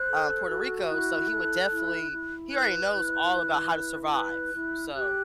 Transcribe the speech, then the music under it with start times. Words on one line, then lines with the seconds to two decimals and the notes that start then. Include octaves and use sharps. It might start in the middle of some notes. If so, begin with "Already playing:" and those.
um, Puerto Rico, so he would definitely he already knows all about how to survive, so,
Already playing: C5 F#6
0.08 A4
0.49 F#4
0.89 E4 F#6
1.30 A4
1.70 E4
2.11 E4
2.51 B4 F#6
2.92 E4
3.32 B4
3.73 E4
4.13 B4 F#6
4.54 E4
4.95 G4 F#6